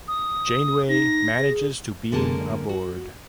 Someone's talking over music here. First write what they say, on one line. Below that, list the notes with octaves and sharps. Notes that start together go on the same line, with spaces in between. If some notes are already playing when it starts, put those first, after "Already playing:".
Janeway manages to beam aboard.
D#6
D#4 A#6
G#4
F#2 D3 G#3 A#3 A#4 A5
F#4